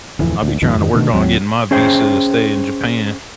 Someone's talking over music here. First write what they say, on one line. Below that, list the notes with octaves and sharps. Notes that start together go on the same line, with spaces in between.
I'll be trying to work on getting my visa to stay in Japan.
D1 F2 E3
D2
C#2 G2 D#3 F3
F2 D#3
B2 D3 D#3 A3
D#2 F#3 C4
C#4 G#4 C5 G5